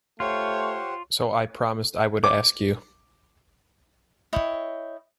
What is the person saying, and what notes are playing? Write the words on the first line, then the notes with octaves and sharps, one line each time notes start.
So I promised I would ask you.
A3 F4 G4 C5 C#5 F#5
D6
E4 C#5 D#5 G5